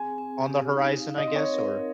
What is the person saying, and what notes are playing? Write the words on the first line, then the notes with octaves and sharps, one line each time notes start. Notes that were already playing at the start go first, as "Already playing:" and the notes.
on the horizon, I guess? Or
Already playing: C4 G#4 G#5
C4
G4
D#4
F5
D#5
C4
C#5
A#4